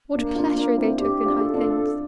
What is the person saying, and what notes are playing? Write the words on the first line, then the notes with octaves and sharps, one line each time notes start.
What pleasure they took in high things!
A#3 D4
D4 F4
D4 F4
C4 E4
D4 G4
D4 F4
A4
D4 F4